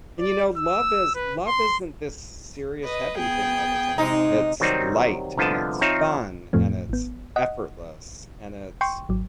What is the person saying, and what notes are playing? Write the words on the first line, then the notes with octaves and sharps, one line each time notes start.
And you know, love is love isn't this serious heavy thing all the time. It's light, and it's fun, and it's effortless, and it's
D5
E6
B4
C6
B4 D#5
B3 G#4 G5
C3 G#3 C4 D#4
C3 D#3 F#3 G3 C4 D#4
C2 D3 F3 B3 D#5 A5
F3 C4 D#4 C#5 E5 F5
F2 A2 F3 A3 C4
G#1 B3
D#5 F#5
G5 C6 C#6
G#1 F#3